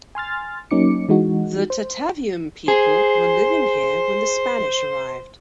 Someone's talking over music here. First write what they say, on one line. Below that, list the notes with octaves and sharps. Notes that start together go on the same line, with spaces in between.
The Tataviam people were living here when the Spanish arrived.
G#5 C6 F6 A6
F#3 A#3 C#4 D#4 D6 C#7
E3 G#3 D#4 F#4
C5
G#4 C5